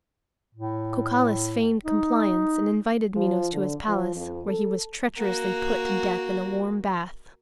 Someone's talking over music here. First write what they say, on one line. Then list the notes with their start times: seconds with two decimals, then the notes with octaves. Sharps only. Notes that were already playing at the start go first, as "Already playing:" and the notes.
Cocalus feigned compliance and invited Minos to his palace, where he was treacherously put to death in a warm bath.
0.55 A2
1.85 D#4
3.16 F3
3.53 D3
3.87 F3
4.16 F2
4.47 A4
5.18 A#3 F#4